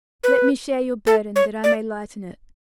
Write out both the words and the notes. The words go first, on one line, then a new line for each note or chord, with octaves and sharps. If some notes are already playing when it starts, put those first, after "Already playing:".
Let me share your burden that I may lighten it.
B4
A4
C#5
D5